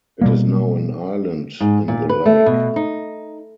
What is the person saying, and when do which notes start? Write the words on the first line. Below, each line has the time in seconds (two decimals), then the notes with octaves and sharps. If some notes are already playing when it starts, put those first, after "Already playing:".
It is now an island in the lake.
0.21 B2 G3 A#3
1.60 G#2
1.88 A#2
2.09 B4
2.26 A3
2.46 B2
2.76 D#4